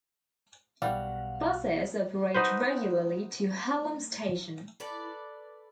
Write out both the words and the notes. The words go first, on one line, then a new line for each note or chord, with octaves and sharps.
Buses operate regularly to Hallam station.
B1 G3 F#4 F5 F#5
D#4 F#4 B4 C5
A4 B4 D5